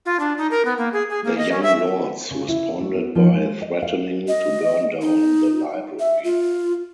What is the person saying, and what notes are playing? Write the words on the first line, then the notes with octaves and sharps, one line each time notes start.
The Young Lords responded by threatening to burn down the library.
F4
D4
D#4
A#4
B3
A#3
G#4
G#4
A#3
D#5
C#4
E5
C#3
E4
A3
B3
F3
G#3
D#5
F5
D#5
D#4
E5
F4